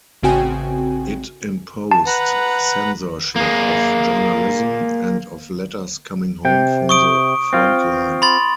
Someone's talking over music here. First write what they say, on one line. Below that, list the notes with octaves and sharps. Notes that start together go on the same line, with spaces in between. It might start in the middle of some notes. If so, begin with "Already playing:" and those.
It imposed censorship of journalism and of letters coming home from the front line.
A1 C#3 C4 F#4 G5 G#5
A5
B4 F#5 A#5
A#3 G#4
C3 G5
C#6 D#6 D7
C4 F4
B5 C6 A6